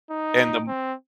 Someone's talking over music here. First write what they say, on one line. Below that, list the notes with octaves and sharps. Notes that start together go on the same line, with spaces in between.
and, um
D#4
C4